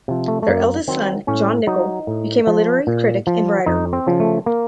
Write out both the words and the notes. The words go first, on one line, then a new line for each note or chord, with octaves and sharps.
Their eldest son, John Nichol became a literary critic and writer.
C3 F3
A3
A3
F#2 A#3
D#3 F#3 C4
A2 C#4
F#3 D#4
A2
F3
A#2
F3
F2 D#4
C4
C#3 F3
A3
A#3